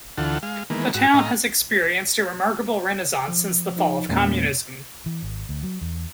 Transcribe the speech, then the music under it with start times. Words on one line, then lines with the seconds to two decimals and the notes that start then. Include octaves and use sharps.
The town has experienced a remarkable renaissance since the fall of Communism.
0.18 D2 D3 E3 F4 A4 F#5
0.43 G#3 F5
0.70 D#3 E3 G#3 A#3 B3
0.94 G#2 F#4
1.14 A2 D#5 F5 A#5
3.28 F3
3.77 F3 D#4
4.09 E2 A#2 G#3 A#3 C#4
5.06 E3
5.22 G#1
5.49 D2
5.63 F#3
5.81 E2